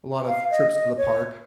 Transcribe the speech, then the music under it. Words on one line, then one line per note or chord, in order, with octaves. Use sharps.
A lot of trips to the park.
F5
D#5
D#5
C#5